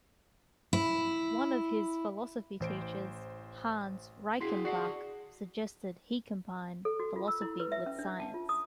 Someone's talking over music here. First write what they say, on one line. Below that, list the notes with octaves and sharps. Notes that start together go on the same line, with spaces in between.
One of his philosophy teachers, Hans Reichenbach, suggested he combine philosophy with science.
E4
A1 A2 E3 C5 D7
E4 F#4 G#4 C6 B6 C7
F#4 D5 F#5 C7
A4
F#4
F4
E6
E4
B4
E5
C#4
D4
A5
F4
D#6